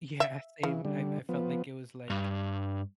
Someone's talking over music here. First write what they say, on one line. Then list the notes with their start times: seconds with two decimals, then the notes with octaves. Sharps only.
Yeah, same. I I felt like it was, like,
0.20 E5
0.63 C#3 E3
0.85 D3 G3
1.29 F3 B3
2.10 G2